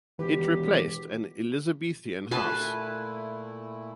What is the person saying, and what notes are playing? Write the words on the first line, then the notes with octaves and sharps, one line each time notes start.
It replaced an Elizabethan house.
E1 D#3 E3 G4 B4
A#2 A3 E4 B4 G#5 A5